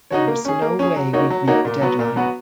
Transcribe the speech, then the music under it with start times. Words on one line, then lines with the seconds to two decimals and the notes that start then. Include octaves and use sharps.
There was no way we'd make the deadline.
0.11 D#4 F#4 C#5
0.27 A#3
0.45 C#4 G#4
0.62 A#3
0.79 C#4 G#4
0.96 F#3
1.13 A#3 D#4 F#4 C#5
1.30 F#3
1.47 A#3 D#4 F#4 C#5
1.65 A#2
1.81 F#3 B3 F#4
1.99 A#2
2.16 F#3 B3 F#4